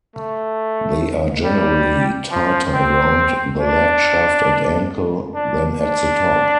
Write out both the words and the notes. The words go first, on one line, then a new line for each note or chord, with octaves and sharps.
They are generally tighter around the leg shaft and ankle than at the top.
A3
G3
F3
C4
D4
D4
D4